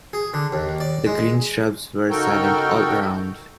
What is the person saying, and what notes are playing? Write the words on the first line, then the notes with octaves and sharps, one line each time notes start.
The green shrubs were silent all around.
G#4
D3
D#2
D5
G#3
C#3 D#4 F#4 A4 A#4 G5